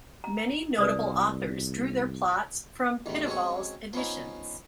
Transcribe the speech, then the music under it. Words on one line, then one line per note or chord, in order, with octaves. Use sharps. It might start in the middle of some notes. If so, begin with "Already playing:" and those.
Many notable authors drew their plots from Pitaval's editions.
A#5
C2 B4 D5 D#6
A1 E2 D#3
F#3 G#3 C4 C#4 C#5
F3 B3 C#4 D#4